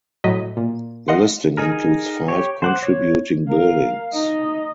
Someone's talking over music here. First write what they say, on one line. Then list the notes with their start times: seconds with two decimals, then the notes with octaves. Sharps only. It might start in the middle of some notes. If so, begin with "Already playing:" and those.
The listing includes five contributing buildings.
0.24 A2 F#3 D#5 B6
0.57 A#2
1.08 D#5 F5 F#5 C6
1.57 D#4 G#4 A#4
2.28 G4 C#5
2.62 C5 F#5 D6
2.82 C#5
3.50 A#4 F5
4.15 D#4 D#5